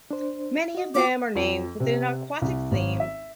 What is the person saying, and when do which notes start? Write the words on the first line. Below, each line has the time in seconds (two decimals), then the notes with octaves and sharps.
Many of them are named with an aquatic theme.
0.11 D4 C5
0.75 F#4 D#5
0.95 B3 F4 F#4 D6
1.36 F2
1.80 C3
2.42 C2
2.71 G#1
3.00 E5